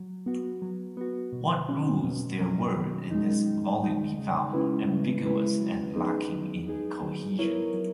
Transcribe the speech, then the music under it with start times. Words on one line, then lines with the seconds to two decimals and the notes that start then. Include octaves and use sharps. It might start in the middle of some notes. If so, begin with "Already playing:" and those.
What rules there were in this volume he found ambiguous and lacking in cohesion.
Already playing: F#3
0.26 B3 F#4
0.62 F#3
0.97 B3 F#4
1.32 B2
1.69 F#3 C#4
2.04 B2
2.39 F#3 C#4
2.76 D#3
3.11 G#3 D#4
3.46 D#3
3.82 G#3 D#4
4.18 C#3
4.53 G#3 C#4 E4 B4
4.89 C#3
5.25 G#3 C#4 E4 B4
5.60 F#3
5.96 B3 D#4 G#4
6.32 F#3
6.67 B3 D#4 G#4
7.03 F#3
7.39 B3 E4 A#4 C#5
7.74 F#3